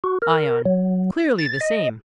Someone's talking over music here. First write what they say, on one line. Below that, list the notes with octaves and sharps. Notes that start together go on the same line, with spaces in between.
ION: Clearly the same.
F#4
A#4
F#3
A6
D#5